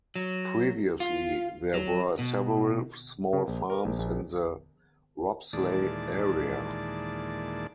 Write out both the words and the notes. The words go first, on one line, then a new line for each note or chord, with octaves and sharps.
Previously there were several small farms in the Ropsley area.
F#3
F4
F#3
B2
C#3
A#1
A#4
A#1
A#1
D#2 A#2 E3 G#3 D5 A5